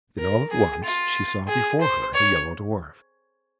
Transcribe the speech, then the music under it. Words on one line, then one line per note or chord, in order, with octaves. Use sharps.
Then all at once she saw before her the Yellow Dwarf.
A#4
G#4
F4
G#4
C5
C#5